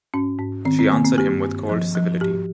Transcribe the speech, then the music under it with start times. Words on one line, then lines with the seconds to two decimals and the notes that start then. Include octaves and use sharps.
She answered him with cold civility.
0.14 G#2 C#4
0.39 G#2
0.65 D#3 C4
0.79 C4
0.92 D#3 A#3
1.04 C4
1.18 G2 G4
1.44 G2
1.69 F3
1.95 F3
2.21 G#2 G4